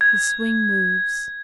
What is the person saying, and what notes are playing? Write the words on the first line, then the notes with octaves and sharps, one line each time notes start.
The swing moves.
G#6